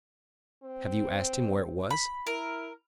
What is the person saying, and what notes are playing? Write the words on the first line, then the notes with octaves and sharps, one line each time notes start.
Have you asked him where it was?
C4
B5
E4 A#4